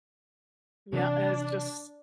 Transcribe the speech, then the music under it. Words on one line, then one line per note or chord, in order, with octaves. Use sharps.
Yeah, it's just
C3 E3 D4